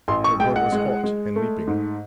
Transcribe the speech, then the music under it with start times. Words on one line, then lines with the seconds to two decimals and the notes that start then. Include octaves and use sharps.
Their blood was hot and leaping.
0.08 A1 C6
0.24 C#6
0.39 G#3 G5
0.56 F#5
0.72 G#3
1.04 G#3
1.36 A3
1.67 G#2